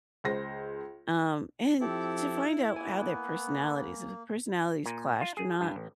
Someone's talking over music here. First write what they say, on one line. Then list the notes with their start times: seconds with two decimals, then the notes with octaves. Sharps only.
Um, and to find out how their personalities if personalities clashed or not,
0.24 C#2 C5 A#6
1.81 F3 C4 E4 G4 A4
2.76 A#3 B3 G#5
4.86 A#2
5.21 F4
5.37 G#4
5.61 G2
5.76 A1